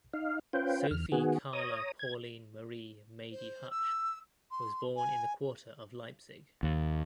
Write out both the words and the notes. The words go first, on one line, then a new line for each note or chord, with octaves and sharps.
Sophie Carla Pauline Marie "Mady" Huch was born in the quarter of Leipzig.
D#4 F5
C#4 F4 B4 C5 G5
E2 F6
D#3 B3 F#4 G#4
C#5 A#5 D#6
G#6
C5
E6
C6
G#5
D#2